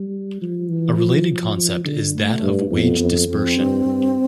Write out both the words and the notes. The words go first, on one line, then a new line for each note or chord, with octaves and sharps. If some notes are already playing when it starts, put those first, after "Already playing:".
A related concept is that of wage dispersion.
Already playing: G3
F3
E3
F3
F3
F3
D3
A3
G2
F2 B3
F2
F2 C4
G2
G2